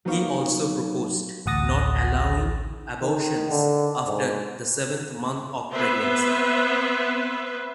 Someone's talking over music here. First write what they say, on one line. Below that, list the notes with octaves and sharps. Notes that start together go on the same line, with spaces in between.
He also proposed not allowing abortions after the seventh month of pregnancy.
F#3 A#3 B3 D#4 C#5 F5
A1 D2 F#5 D#6 A6 A#6
D#3
D3
G#2
B3 C4 B4 C5 E5